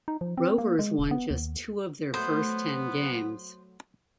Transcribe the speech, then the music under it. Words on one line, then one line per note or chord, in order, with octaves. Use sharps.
Rovers won just two of their first ten games.
D#4
F3
C4
A#3
G#3
E1
B3
D#2
F#3 A3 B3 C5